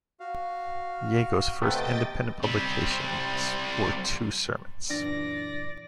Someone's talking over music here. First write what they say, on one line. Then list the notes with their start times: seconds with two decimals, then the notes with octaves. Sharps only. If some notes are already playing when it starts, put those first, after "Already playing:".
Jago's first independent publications were two sermons.
0.20 F#4 F5
1.62 C3 A3 B3 D#5 G5 A6
2.43 G3 C4
4.90 F#2 A#2 E3 D4 D5 A#6